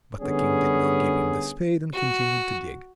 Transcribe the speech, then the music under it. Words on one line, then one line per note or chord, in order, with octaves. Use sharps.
But the King did not give him the spade, and continued to dig.
D3 G3 B3 C#4 G#4
F#4